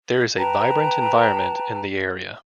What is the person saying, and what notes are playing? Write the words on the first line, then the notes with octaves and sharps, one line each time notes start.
There is a vibrant environment in the area.
B4 G5 A5 A#5